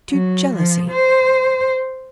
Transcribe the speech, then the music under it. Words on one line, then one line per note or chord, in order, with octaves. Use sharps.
"To jealousy?"
F#3
F3
C5